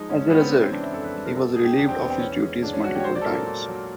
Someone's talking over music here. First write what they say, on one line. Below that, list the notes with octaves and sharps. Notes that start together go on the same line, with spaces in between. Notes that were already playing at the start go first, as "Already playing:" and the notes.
As a result, he was relieved of his duties multiple times.
Already playing: F3 G#3 D#4
G#2 C#4
C#4
G#2 B3
C4
C#3 C#4
C4
E3 D4
E4
F2 A4
B4
G3
A#4
B2 A4
G#3 G#4
G4
E2 D4
C4
E2 B3
C4
E3 C#4
G#3
G#2 D4
C#4
G#2 F#4
G4
C#5
F#3 C5
D5
A4
A#2 A#4
A#2
F#3